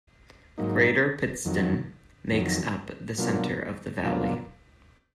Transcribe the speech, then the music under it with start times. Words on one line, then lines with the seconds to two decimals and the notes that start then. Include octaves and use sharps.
Greater Pittston makes up the center of the valley.
0.58 G#2 F#3 A#3 D#4
1.45 F2 D#3 F#3
2.31 F2 D#3 F#3
3.17 B2 F#3 A#3 D4 F4
4.04 B2 F#3 A#3 D4 F4